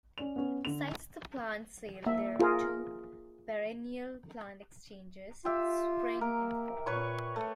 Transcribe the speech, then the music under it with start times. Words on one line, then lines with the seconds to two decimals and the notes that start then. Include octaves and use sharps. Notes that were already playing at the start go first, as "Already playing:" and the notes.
Besides the plant sale, there are two perennial plant exchanges, spring and fall.
0.18 C#4 D5 F7
0.36 B3 C#4
0.65 D3 F7
2.06 A#3 E5
2.40 F4 G#4 A#4
5.45 F4 G4 E5
6.21 A#3 A#4
6.86 A#2 B4 C#5 C#6
7.36 A3